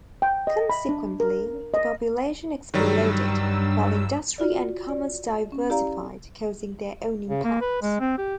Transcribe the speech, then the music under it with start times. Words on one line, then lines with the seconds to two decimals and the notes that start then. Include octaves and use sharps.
Consequently, the population exploded, while industry and commerce diversified, causing their own impacts.
0.22 G5
0.47 D#5
0.70 B5
0.89 D4
1.20 A#4
1.74 D#5
2.74 G2 D#3 F#3 G3 E6
4.38 F4 F#4 D5
4.89 D5
5.52 C#4
5.70 E4 G4 D5 F5 A#5
7.28 C#3
7.44 A#3
7.61 B4
7.82 G#3
8.00 C4
8.18 G4